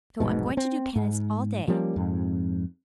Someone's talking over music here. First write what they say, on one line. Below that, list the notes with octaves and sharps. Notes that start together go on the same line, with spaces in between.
So I'm going to do penance all day.
F1 B1 G#2 B2
C4
G#2
F3 G3 A#3 C#4
F2 G#2